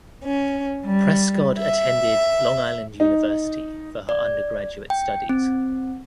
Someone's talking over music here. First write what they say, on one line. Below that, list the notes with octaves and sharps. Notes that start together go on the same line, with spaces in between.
Prescod attended Long Island University for her undergraduate studies.
C#4
G3
E5
D#4
D5
G5
C4